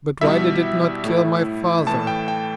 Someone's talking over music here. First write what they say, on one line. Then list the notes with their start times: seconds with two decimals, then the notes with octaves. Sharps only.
"But why did it not kill my father?"
0.21 B2 G3 E4 E5
1.04 A2 A3 E4
1.86 A2 E3 A3 A5
2.07 G5
2.28 G5